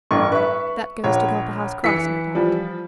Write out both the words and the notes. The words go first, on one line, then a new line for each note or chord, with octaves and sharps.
That goes to Copperhouse Cross, no doubt.
A1 G2 C#6
B4 E5 C#6
A#1 C#5
E3 B6 C#7
F3 G3